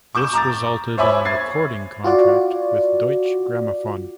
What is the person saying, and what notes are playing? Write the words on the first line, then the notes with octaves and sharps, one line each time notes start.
This resulted in a recording contract with Deutsche Grammophon.
C#6 D6 G6 E7
A#5 D6 A6
C5 C#5 E5 G#5 B5 D6
G#6 A6 C7
F4 F#4 D5